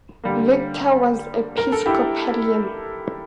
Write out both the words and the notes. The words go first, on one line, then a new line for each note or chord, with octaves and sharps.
Victor was Episcopalian.
D3 G3 A#3
A#4
A4
E4 G4